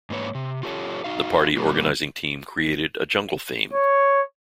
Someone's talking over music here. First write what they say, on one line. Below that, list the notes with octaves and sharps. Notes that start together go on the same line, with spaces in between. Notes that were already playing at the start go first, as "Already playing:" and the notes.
The party organizing team created a "jungle" theme.
G#2 A#3 B4 C#5
C3
F4 G4 A4 C5 C#5
D#4 F#4 F5
B2 D3 G3 A#3 B3
C#5